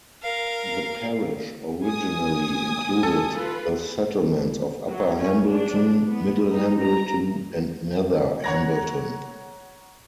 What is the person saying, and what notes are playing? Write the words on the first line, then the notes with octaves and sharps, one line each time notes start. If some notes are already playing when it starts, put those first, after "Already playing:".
The parish originally included the settlements of Upper Hambleton, Middle Hambleton and Nether Hambleton.
A#4 F5
G#5 D#6
A4
F4 B4
F#3
C#4
D4
B3
D#4
A#5
C#5 F#5 A#5 G#6 A#6